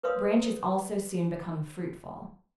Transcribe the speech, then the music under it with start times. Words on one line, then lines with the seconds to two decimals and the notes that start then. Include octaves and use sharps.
Branches also soon become fruitful.
0.03 A#4 B4 C#5 F5 C6 D#6